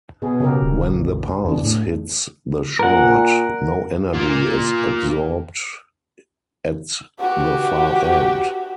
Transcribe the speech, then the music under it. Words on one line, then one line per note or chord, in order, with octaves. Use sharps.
When the pulse hits the short, no energy is absorbed at the far end.
B2 G#4
C#3 G4 A#4
D#1
A1
E2 D4 G#4
A2
A#2 A#4 F#5
A#3 F4
F#4 G4